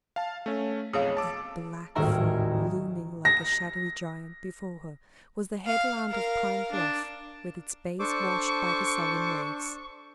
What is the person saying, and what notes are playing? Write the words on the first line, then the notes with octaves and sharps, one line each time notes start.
That black form looming like a shadowy giant before her was the headland of Pine Bluff, with its base washed by the sullen waves.
F5 A5
A3 C#4
B1 F2 G#4 C#5 F5 D#6
A5 D6 E6
D#1 G#1 A2 A#4 E5 A#5
A#6
F5
A#4 F5
D4
D4 A4 C5 C#6 D6